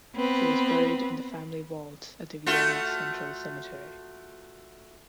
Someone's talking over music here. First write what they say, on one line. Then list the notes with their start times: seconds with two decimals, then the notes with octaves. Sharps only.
She was buried in the family vault at the Vienna Central Cemetery.
0.16 B3 C4 B4
2.46 A3 F4 F#4